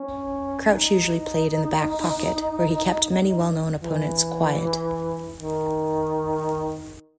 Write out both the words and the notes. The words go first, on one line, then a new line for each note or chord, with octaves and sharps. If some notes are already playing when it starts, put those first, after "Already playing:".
Crouch usually played in the back pocket, where he kept many well-known opponents quiet.
Already playing: C#4
D#4
E3
D#3